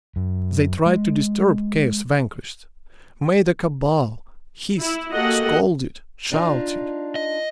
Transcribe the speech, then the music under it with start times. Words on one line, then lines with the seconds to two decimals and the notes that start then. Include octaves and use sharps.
They tried to disturb "Chaos Vanquished;" made a cabal, hissed, scolded, shouted!
0.16 F#2
0.86 G#3
4.78 E4
5.12 A#3 F#4 G4 A4 D#5 F#5
6.32 D4 D#4 F4
7.15 D#5